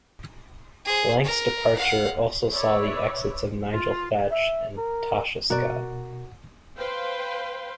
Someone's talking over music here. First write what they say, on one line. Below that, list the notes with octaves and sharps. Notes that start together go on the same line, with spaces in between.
Blank's departure also saw the exits of Nigel Thatch and Tasha Scott.
G#4 C5
A#4
F5 F#5
B4 C#5 D5 E5
F4
E5
A#4
B2 F#4 A#4 D5
B4 C5 F5 G5 C6